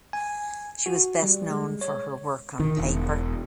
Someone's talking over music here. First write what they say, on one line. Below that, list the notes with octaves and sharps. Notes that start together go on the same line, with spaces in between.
She was best known for her work on paper.
G#5
F#4
G3
G#3
C#5
D#3
E1